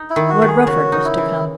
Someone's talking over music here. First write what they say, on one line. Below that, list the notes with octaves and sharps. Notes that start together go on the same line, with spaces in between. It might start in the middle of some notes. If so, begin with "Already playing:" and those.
Lord Rufford was to come.
Already playing: D#4
E4
D#3
F#4
D#3
G#4
C#3 F#4
D#4
E4
E3